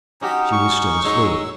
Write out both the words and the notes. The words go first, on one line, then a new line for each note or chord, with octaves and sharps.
She was still asleep.
F#3 C#4 D#4 F#4 G4
C#6
F#3 G#3 D#4 E6